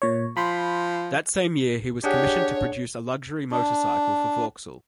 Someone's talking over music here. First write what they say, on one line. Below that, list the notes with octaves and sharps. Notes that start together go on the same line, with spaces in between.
That same year he was commissioned to produce a luxury motorcycle for Vauxhall.
A#2 C#5
F3 B5 C6
D4 G4 G#4 C#5 F#5
D4